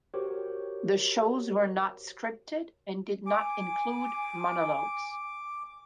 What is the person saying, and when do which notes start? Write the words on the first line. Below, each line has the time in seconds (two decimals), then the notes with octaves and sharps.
The shows were not scripted and did not include monologues.
0.14 F#4 G4 A#4 C5 C#5
3.26 G#5 D6